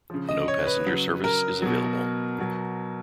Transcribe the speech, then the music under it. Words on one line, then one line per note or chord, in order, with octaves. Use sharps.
No passenger service is available.
C#3 F3
D#5
C#5
B4
C#3 F#3
A#4
B2 F#3
B2 F#3